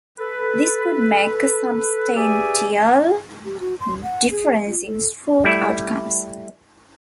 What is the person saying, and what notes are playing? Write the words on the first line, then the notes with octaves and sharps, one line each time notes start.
This could make a substantial difference in stroke outcomes.
A4 B4
G4 G#4 B4 D5 E5 G#5
G4
F#4
C6
F#5
G#4
F4
A4
G3 A3 E4 D5 E5